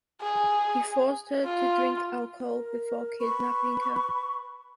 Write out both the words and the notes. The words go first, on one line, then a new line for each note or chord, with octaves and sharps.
He forced her to drink alcohol before kidnapping her.
G#4
F4
A#4
B4 B5 C#6